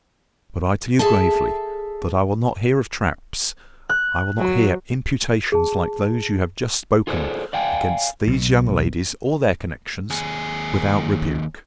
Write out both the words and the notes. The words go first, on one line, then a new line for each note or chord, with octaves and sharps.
But I tell you gravely, that I will not hear of traps--I will not hear imputations like those you have just spoken against these young ladies or their connections, without rebuke.
G#4 A4 E5 A5
F#6
F#3
G#4 A5
F4 G#4 A4 C5 D5
D5 F5 G5 G#5
B1 B2
D#2 G#4